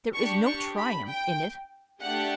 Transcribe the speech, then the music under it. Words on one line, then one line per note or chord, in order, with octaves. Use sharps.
There is no triumph in it.
D4 G4 C#6
C#6
B5
G5
A3 D4 G4 F#5